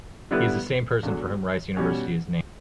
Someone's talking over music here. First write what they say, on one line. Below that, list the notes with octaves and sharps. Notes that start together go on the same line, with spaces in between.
He is the same person for whom Rice University is named.
D3 G3 B3 E4 B4
E2 D3 F#3
B2 G3 C#4